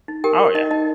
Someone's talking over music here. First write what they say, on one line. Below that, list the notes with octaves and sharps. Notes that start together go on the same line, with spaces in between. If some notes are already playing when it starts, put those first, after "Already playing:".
Oh, yeah.
D#4
G4 A#4 G5
A#4
D#4 D#5
D#4 D#5